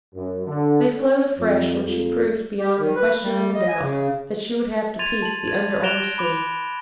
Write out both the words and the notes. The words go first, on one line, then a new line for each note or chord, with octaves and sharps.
They flowed afresh when she proved beyond the question of a doubt that she would have to piece the under-arm sleeve.
F#2
D3
C#4
F2
F2
G4
D#3
B4
G3
D#5
G#5
C#3
C6 G#6 A6 D#7 F7
A5 F#7
G#6
F#6 A#6 D7 E7 F7 G7
B5 D6 F7